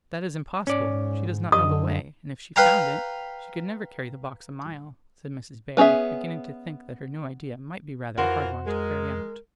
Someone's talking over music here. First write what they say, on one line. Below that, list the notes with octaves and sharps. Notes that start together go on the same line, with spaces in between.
"That is impossible, she does not know the way, and if she found it, she could never carry the box a mile," said Mrs. Bhaer, beginning to think that her new idea might be rather a hard one to carry out.
G#2 C#4 D5
F#2 D3 D#5 D#6
B4 F5 G5 A#5
B3 C#4 F#4 G#4 E5
F2 E3 F4 F#4 A#4 C5
G#3 A#4